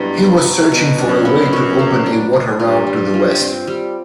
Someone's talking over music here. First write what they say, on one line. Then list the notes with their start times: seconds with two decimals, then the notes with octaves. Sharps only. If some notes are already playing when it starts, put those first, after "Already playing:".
He was searching for a way to open a water route to the West.
Already playing: G2 B2 F#3 E4
0.18 B3
0.45 F#3
0.72 B2
0.98 F#2 D4
1.25 B3
1.53 F#4
1.79 F#3
2.06 D4
2.33 D4
2.59 G2 F4
2.87 G3
3.14 F4
3.41 C4
3.67 G3